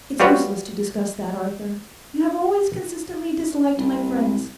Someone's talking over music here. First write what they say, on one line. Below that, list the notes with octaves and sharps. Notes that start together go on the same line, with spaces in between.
'It's useless to discuss that, Arthur; you have always consistently disliked my friends.
G3 F4 F#4 B4 C#5
C2